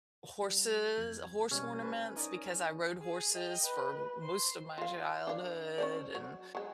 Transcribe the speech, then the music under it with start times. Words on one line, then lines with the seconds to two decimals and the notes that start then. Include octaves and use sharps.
horses horse ornaments because I rode horses for most of my childhood and
0.43 G3
0.98 F2 G#6
1.51 B2 G3 G#3 C#4
1.82 B4 C5 A5
2.16 D#4 A#4 D5 D#6
3.00 G#4
3.34 D#5 G5
3.65 B4
4.21 C5 C6
4.78 F4 F5
5.27 D4 A#4 F5
5.78 C#4 C5 D5
6.15 F#3
6.55 F#3 G#3